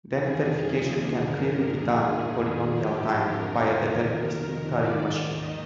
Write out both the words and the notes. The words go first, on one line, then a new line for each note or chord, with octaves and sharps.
Then verification can clearly be done in polynomial time by a deterministic Turing machine.
F2 D#3 G#4
D#2 D3 F3
G2 D3 F3 A#4
D#2 D#3 G#4
F2 D#3 G#4
G#2 F3 G4
F2 D3 F3 A#4
F2 D#3 A#4
F2 D#3
G#2 D#3 D5
D#2 D#3 D#5